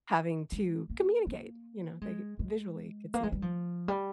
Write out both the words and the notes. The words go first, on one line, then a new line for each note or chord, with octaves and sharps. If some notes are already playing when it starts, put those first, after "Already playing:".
having to communicate, you know, they visually could see it.
G#3
A#3
A#3
G#3
G#3
A#3
G#3
G3
F3
G3